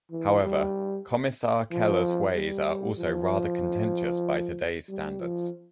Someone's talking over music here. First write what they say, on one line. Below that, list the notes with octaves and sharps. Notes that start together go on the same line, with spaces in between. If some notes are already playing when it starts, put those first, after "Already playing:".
However, Kommissar Keller's ways are also rather contentious by today's standards.
E3
G3
F3
G3
F3
G3
F3